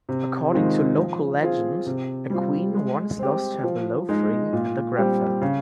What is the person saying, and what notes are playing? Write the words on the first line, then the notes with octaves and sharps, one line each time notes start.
According to local legend a queen once lost her beloved ring in the Grabfeld.
C3
D#3 G#3 C4 F4
F3
C4 F4 G#4
C3
G3 C4 F4
G#3
C4 G4
F3
G#3 D#4
A#2
G3 C4 G4
C#3